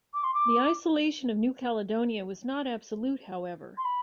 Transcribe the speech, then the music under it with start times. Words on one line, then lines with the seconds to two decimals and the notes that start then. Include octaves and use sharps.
The isolation of New Caledonia was not absolute, however.
0.14 D6
0.24 C6
0.34 D6
3.77 C6
3.85 B5